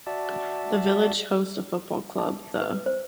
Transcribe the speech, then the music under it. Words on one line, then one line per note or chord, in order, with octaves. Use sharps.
The village hosts a football club, the.
F#4 D5 E5 A5
A5
B4
C5